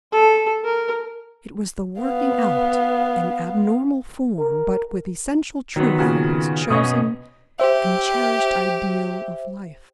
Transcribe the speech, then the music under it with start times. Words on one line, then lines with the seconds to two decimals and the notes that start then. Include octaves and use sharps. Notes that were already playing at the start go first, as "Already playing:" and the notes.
It was the working out, in abnormal form, but with essential truth, of his chosen and cherished ideal of life.
0.12 A4
0.64 A#4
2.02 B3 F5
4.38 A#4
5.76 D#3 F#3 B3
5.99 A#2 C#3 F#4
6.70 B2 B3 C#4 D#5 C#6 D#6
7.60 G4 C5 E5